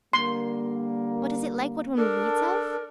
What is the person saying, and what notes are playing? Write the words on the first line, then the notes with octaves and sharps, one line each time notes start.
"But is it like what one reads of?"
D3 G3 A#3 C6
D4 A4 A#4